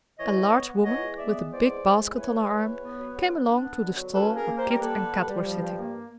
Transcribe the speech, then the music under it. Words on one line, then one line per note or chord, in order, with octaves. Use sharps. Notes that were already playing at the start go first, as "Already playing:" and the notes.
A large woman with a big basket on her arm came along to the stall where Kit and Kat were sitting.
E3 C#5 D#5
B3
B3
B3
E3 C#5 D#5
G#3
B3 D5 E5
G#3
E2 C5 D5
G#3
G#3
E2
E3 B4 C#5
G#3
E3
E2
B3
F#3
B3
D4
D4
B3
D3
F#3
C#4 A4 B4
A#3
G#4 A#4
A#3
A#4 C5
G3
A#4
A#3 A4 B4
D3
G3
G3
F3
G2
A#3